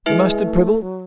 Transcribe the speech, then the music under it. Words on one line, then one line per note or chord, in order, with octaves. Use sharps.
'The mustard, Prebble?
G#3 E4 B4 E5
A3
F#3